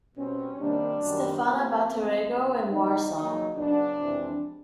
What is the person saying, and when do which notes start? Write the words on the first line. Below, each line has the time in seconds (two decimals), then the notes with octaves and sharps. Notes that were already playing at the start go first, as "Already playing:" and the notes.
Stefana Batorego in Warsaw.
0.16 B2 G3 C4 C#4
0.58 C3 D#3 G3 A#3 D4
1.01 F#2 D#3 G3
1.43 C3 F3 A#3 C4
1.86 G#2 F3 A3 C4
2.28 C#3 F3 A#3 C#4
2.71 E2 C#3 F#3 D#4
3.13 C#3 F#3 A#3 D#4
3.55 C#3 F#3 B3 D4
3.98 F2 C3 E3 G#3 C4